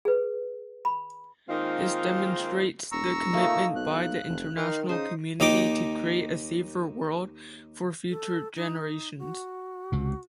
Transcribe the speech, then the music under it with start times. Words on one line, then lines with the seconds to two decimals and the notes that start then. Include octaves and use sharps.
This demonstrates the commitment by the international community to create a safer world for future generations.
0.05 G#4 B4
0.85 B5
1.49 D#3 G#3 A#3 C4 D#4 F4
2.92 E1 A#5 C#6 E6
3.33 A#2 A3 A#3 D#4
3.76 B1 F#6
4.27 F1
4.57 D#3 D#4 C6 F6
4.89 C#3 D#4 C5 D#6
5.40 D#2 D#4 G4 D#5 D6
8.10 A4
8.56 D#4
9.19 F#4
9.92 C#2 C3